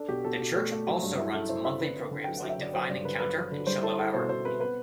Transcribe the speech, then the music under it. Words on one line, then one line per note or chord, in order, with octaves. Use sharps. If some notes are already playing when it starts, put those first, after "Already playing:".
The church also runs monthly programmes like Divine Encounter and Shiloh Hour.
Already playing: D4 A4
B2 G4
B2 A4
B2
A3
A3
F#3
G2
E4
E4 A4
E4 C5
C4 E5
D3 B4
C4
D3
F#3 G5
F#5
F#3
E5
D3 D5
F#3 C5
G2 D5
D3 B4
F#3 B4
F#3
D3
G3 C5
E4 A4
E4 A4
B2 C5
B2 C5
C4 B4
B3 B4